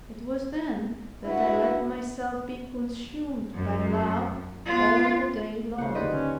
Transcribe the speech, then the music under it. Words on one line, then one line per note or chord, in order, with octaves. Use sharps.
It was then that I let myself be consumed by love all the day long.
D4 E4 F#4 B4
F#2
B3 F4
C#3 F3 C5 F#5
D#2 D3 B4 C5 D5 D#5
C#4